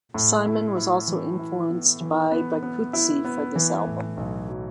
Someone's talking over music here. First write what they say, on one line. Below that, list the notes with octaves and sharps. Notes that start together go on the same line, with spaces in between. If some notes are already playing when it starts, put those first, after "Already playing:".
Simon was also influenced by bikutsi for this album.
A2
E4
E4
E3
E4
B3
E3
B3
B3
E4
B3
E3
A2
B1
F#3